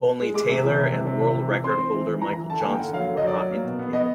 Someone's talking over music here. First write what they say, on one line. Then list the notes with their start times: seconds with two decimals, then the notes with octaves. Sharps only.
Only Taylor and world record holder Michael Johnson were not implicated.
0.20 G#3
0.34 G#3 D6
0.50 C3
0.64 E3
0.78 C3
0.92 C3
1.07 C3
1.21 C3
1.36 E3
1.49 E3
1.64 C4 C6
1.78 C4
1.93 E3
2.07 E3
2.22 E3 A#5
2.36 E3
2.50 D3 A5
2.60 G#5
2.65 A#3 G5
2.78 D3 F#5
2.93 F#3 F5
3.08 D3
3.17 D#5
3.22 F#3
3.27 D5
3.36 F#3
3.51 A#3
3.65 B2
3.79 B3
3.93 B3 D#5